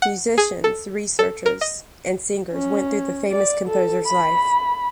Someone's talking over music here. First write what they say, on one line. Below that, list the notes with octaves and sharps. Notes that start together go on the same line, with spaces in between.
Musicians, researches and singers went through the famous composer’s life.
F#5
G#4
A4
A4
A#4
D#5
C#4
D5
A4
B5